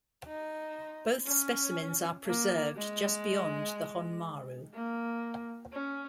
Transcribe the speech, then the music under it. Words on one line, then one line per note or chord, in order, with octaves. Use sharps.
Both specimens are preserved just beyond the Honmaru.
D#4
C#4
A#3
G#3
A#3
C#4